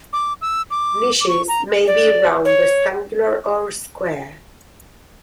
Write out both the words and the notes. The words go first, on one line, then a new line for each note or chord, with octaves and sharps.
Knishes may be round, rectangular, or square.
D6
E6
D6
D6
C#6
A#5
D5
C#5